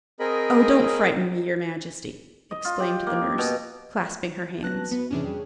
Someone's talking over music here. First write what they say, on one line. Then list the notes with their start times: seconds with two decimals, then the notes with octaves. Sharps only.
"Oh! don't frighten me, your Majesty!" exclaimed the nurse, clasping her hands.
0.20 C4 G#4 A#4 D#5 B5
2.51 D#5
2.65 F4
2.80 G4
3.07 A#3
3.38 B2
4.63 F#3 B3 C#4 A5 F#6 A#6
4.91 B3 F#4 B4
5.11 G#2 C3 E3 C#4 D4 G#4
5.25 G3 G4